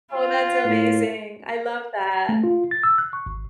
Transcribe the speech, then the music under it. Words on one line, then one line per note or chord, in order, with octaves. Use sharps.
Oh, that's amazing, I love that.
F4
A2
A3
F4
A6
E6
F#6
C#6
G#1